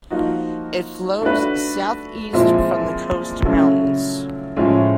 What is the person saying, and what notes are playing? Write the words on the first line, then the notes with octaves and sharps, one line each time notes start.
It flows south-east from the Coast Mountains.
F3 A#3 D#4 F#4
A3 D4 F#4 B4
A#2 F3 G#3 C4 E4
C#3 F#3 A3 C#4 E4
A2 F3 G#3 C#4 E4